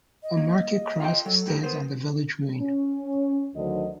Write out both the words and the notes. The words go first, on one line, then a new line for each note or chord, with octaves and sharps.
A market cross stands on the village green.
D#5
A#3
F4 A4 G5
F#3 A4
A2 G4 A#4
B3 A#4 C5
C#4
D2 D3 D#3 F#3 C5 D#5